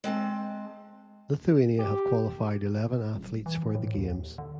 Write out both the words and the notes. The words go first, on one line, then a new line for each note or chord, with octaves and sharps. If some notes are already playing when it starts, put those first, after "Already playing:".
Lithuania have qualified eleven athletes for the Games.
G#3 C4 G#5 A5
G4
D#1
E3
D1
A2
D#2
D3